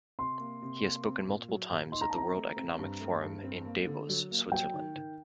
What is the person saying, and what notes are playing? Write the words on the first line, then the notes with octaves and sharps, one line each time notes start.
He has spoken multiple times at the World Economic Forum in Davos, Switzerland.
C3 C6
A#3
C3
A#3
C4
A#2
F#3
A#2
D#4 C6
A#5
A5
C4 A#5
A3
C4
G2
A3
G2
C4
A#3
D3
F#3
A#3
F#3 G5
D#3
D#3